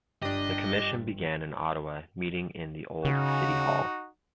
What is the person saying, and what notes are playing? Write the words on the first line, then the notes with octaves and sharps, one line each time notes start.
The Commission began in Ottawa, meeting in the Old City Hall.
G1 D4 G4 D#5
C#3 D#4 F#4